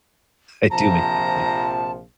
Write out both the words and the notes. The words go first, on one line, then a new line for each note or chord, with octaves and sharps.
I do make mistakes.
A#1 C3 F3 A5 A#5